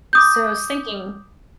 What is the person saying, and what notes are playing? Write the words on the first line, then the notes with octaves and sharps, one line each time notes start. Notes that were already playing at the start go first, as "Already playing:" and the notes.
So I was thinking
D6 D#6 G6